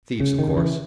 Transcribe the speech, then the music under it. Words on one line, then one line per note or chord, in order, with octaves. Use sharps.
Thieves, of course.
C#3
D#3
C#3
E3